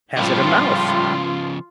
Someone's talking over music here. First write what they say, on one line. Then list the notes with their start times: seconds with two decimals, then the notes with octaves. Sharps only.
Has it a mouth?
0.17 A2 C#3 F3 G3 F4